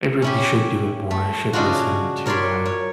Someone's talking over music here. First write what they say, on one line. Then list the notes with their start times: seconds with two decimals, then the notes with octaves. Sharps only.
I really should do it more. I should listen to, uh,
0.22 C#4 E4 G4
1.11 A3
1.53 C#3 G#3 D4 F4 F#4
2.26 A#4 C#5 D5 B5 C6
2.65 C#5